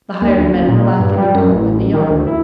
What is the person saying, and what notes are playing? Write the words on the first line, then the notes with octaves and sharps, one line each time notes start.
The hired men were laughing and talking in the yard.
D#2
D2
F#1
A#2
G2
G3
F#2
A1
D#3
D2
E4